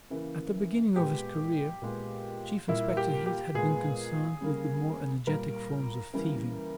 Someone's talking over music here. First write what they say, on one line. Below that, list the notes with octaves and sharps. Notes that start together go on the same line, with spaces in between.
At the beginning of his career Chief Inspector Heat had been concerned with the more energetic forms of thieving.
C#3 E3 A#3
A#2 G#3 B3 G4
A#2 G#3 B3
A#2 G3 A#3 E4
G4
G4
A#2 G#3 B3 G#4
C#3 G3 A#3
A#2 G3 A#3 A#4
C#3 E3 G3 A#3